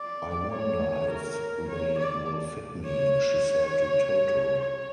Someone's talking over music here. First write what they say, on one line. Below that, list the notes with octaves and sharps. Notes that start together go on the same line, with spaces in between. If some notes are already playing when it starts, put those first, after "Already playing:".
"I wonder if they will fit me," she said to Toto.
Already playing: D5
C#5
A#4
C#5
D5
C#5
C#5